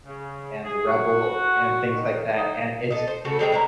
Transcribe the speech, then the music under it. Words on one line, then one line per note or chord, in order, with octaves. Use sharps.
and The Rebel, and things like that, and it's
C#3
G#4
F#4
D#3
D#4
A4 D#5
C5
C#3 A3 F#4 A4
G3 G#3 C4 G#4
B2 E4 A#4 A#5